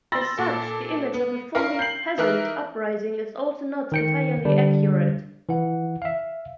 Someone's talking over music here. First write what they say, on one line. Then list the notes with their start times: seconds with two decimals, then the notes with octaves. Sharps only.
As such, the image of a fully "peasant" uprising is also not entirely accurate.
0.12 B5 C6 E6 A6 A#6
0.38 A#2 A4
1.14 B3
1.55 C#4 A#4 F5
1.79 G6 C7 F#7
2.18 E3 D#4 A#4 E5 F#6
3.92 D#3 G5 C#7
4.45 D3 G3 D4
5.49 E3 E4 F#5
6.02 E5 F5